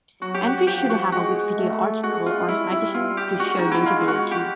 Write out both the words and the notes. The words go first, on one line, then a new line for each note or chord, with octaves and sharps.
Entries should have a Wikipedia article or a citation to show notability.
F#3 F#4
G4
F#4
F3 G4
F#4
G#3 F#4
A3
G#3 F#4
F4
G3 E4
E4
F4
G4
G#3 F#4
D#4
E4
G#3 F4
F#4
G4